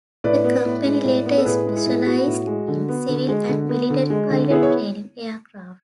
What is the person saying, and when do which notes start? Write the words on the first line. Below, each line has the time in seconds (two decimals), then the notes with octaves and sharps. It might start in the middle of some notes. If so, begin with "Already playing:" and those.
The company later specialised in civil and military pilot training aircraft.
0.24 A2 B4 D5
0.44 B3
0.65 A2
0.85 G#3
1.05 A2
1.26 B3
1.37 A4
1.45 A2 G#4 B4
1.67 G#3
1.76 E4 G#4
1.86 A2
2.07 B3 F#4
2.27 A2
2.47 G#3
2.68 D3
2.89 B3
3.09 D3
3.28 G#3
3.49 D3
3.69 B3
3.90 D3
4.10 G#3
4.30 D3
4.50 B3 E4 G#4
4.63 C#5